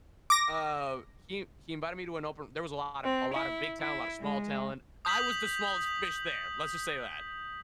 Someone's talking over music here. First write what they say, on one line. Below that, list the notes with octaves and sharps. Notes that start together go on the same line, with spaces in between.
Uh, he he invited me to an open there was a lot of a lot of big talent, lot of small talent. I was the smallest fish there let's just say that.
D6 A#6
C4
E4
E4
G#3
D#6 G6 B6 F#7